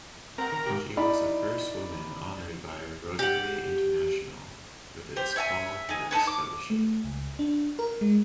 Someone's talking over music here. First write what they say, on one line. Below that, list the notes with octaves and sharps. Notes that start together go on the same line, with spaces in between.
She was the first woman honored by Rotary International with its Paul Harris Fellowship.
C4 A#4 F#5
D#3 A#4
G#2 C3 G4
D#4 E4 D5 B5
G4 F#5
G4 C5
C#5 E5 G5 G#5
D#4 G#5
D#4 A4 B4 C#5
D6
A3
C#2
D4
A#4
G#3